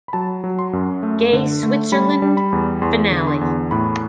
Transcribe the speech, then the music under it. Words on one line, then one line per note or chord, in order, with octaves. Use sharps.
Gay Switzerland Finale.
B5
F#3 A5
F#3
C6
F#2
A3
D3
A3
G3 B5
G3
B5
E2
E2 C6
D3
C6
E2
A2 B5